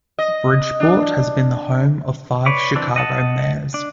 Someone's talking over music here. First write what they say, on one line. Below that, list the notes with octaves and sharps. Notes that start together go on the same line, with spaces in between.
Bridgeport has been the home of five Chicago mayors.
D#5
D4
B4 C#5 D5
E3 C4 D4
D#5 F#5 A5
D4